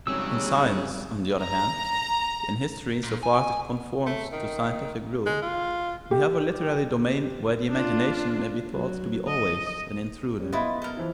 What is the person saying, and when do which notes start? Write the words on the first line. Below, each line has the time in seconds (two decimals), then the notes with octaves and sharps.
In science, on the other hand, in history so far as it conforms to scientific rule, we have a literary domain where the imagination may be thought to be always an intruder.
0.07 G#1 C#3 F#3 G3 G#4 E6
1.41 A#5
3.03 A#2
3.23 G#5
4.06 A3
4.32 D#3
5.26 G#3
5.42 F4
6.11 G4
7.70 D4 F4
8.71 F#3
9.27 D#5
10.40 G3 C#4
10.53 B3 E4 F4 B4 D#5
10.82 A4 A#4
10.97 E3 F3 E4